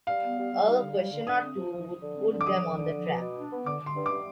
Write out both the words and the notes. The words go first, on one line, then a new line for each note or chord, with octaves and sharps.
A question or two would put them on the track.
G3 F5
B3
G3
G3
D#4
D3
G3
D3
D3 D#6
C4
F3
F3
F3
D3
C4
D3
D6
F3 D#6
D3
D3
F3
B2
B2
D4
B3
D3 D6
D3
C6
G2
D6
G3